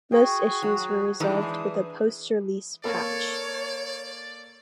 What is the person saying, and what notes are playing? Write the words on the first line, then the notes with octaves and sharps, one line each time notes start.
Most issues were resolved with a post-release patch.
F#4 G#4 G5 C#6
F#3
E3 G#3 D4 D#4 D#6 E6 G6
B3 G#4 C5
A#3 A4 C#5 D5